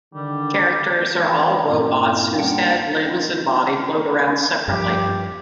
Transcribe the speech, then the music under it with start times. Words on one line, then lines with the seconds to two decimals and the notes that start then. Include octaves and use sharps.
Characters are all robots whose head, limbs, and body float around separately.
0.14 D3 D#3 G3
1.15 E3
1.68 G2 A#2 A#3 C4 C#4 E4
2.39 G3 A#3 D4 D#4 F#5 G5
4.68 G2 F3 G4